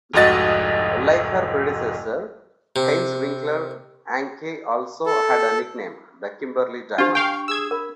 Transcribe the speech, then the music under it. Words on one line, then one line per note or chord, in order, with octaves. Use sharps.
Like her predecessor, Heinz Winckler, Anke also had a nickname: The Kimberley Diamond.
F1 C2 G#2 F#4 D#5 A6
C3
A4
D4 F4 G4 C5
F5 G5 G#5 C#6
G#4 E6 G#6
A#4 B5